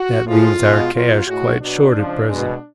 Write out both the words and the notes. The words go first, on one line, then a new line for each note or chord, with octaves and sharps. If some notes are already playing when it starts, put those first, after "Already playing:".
That leaves our cash quite short at present.
Already playing: F#4
A2 F3 G#3 F4
B2 G#3
B2 F#3 F4
A2 G#3 F#4
B2 F#3 D4
C#3 F3 G#3
B2 G#3